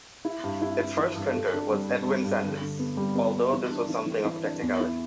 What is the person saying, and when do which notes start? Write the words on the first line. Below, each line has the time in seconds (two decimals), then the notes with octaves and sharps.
Its first printer was Edwin Sandys, although this was something of a technicality.
0.25 E4
0.44 G2
0.62 E4
0.79 E4
0.98 E3
1.16 G2
1.34 A4
1.53 D4
1.70 G3
1.88 D4
2.06 G3
2.25 G2
2.43 D3
2.61 D3
2.79 B3
2.97 G3
3.15 B3
3.34 G3
3.52 E3
3.70 D4
3.89 E3
4.06 E3
4.25 E3
4.43 D4
4.62 E2
4.80 E4